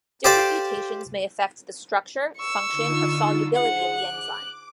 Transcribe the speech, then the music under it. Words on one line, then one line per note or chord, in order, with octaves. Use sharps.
Different mutations may affect the structure, function or solubility of the enzyme.
G4 A4 C5 D5 F5 G5
C#6 E6
D3 D#4 F4
G#4 C5 F#5
D6 F#6